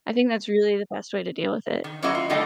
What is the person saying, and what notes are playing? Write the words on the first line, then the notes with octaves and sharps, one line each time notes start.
I think that's really the best way to deal with it.
D#3
F#3 A#3 C#4 E4 F#4 D#5
F4
D3 G3 A3 D#4 D#5 G5